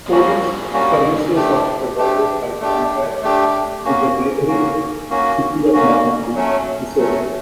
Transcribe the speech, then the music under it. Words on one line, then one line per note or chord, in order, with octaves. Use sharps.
Police services are provided by contract with the neighboring City of Normandy, Missouri.
G3 A#3 C#4 F#4
G3 A#3 C#4 F#4
A3 D4 G4
A3 D4 G4
A3 D4 G4
A3 D4 G4
A#3 C#4 F#4
A#3 C#4 F#4
A#3 C#4 F#4
A#3 C#4 F#4
F#3 A3 C#4
F#3 A3 C#4